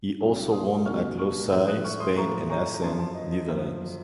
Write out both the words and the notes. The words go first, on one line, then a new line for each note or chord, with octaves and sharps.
He also won at Losail, Spain and Assen, Netherlands.
C2 A#2 F#3
C6 D#6
C2 A#2 F#3 C#6 F6
C#6 F6
A2 F3
D#6 F#6
C#6 F6
C6 D#6
A2 F3 A#5 C#6
A#5 C#6
A#5
F#2 F3 A5 C6
A5 C6
D#5
D#5
F#2 F3